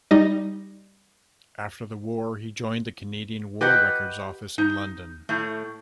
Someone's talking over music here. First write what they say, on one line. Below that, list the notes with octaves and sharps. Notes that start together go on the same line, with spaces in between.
After the war he joined the Canadian War Records Office in London.
G3 D#4 D#5
G4 B4 D#5 F#5
D#4
A2 A3